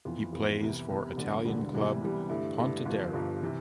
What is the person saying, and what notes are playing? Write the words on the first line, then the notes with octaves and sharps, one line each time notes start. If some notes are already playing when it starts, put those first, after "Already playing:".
He plays for Italian club Pontedera.
F2 E3 B3 F4
F2 E3 B3 F4
C2 C3 E3 B3
C2 C3 E3 B3
E1 E2 D3 G3
E1 E2 D3 G3
C2 C3 E3 G3 B3
C2 C3 E3 G3 B3
G2 D3 A3 E4
G2 D3 A3 E4
G1 G2 F3
G1 G2 F3
C3 E3